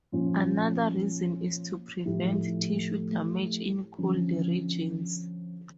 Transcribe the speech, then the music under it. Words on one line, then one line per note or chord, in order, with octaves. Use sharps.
Another reason is to prevent tissue damage in cold regions.
A#2 F3 C#4 F4
A2 F3 A3 E4 G4
D3 F3 C#4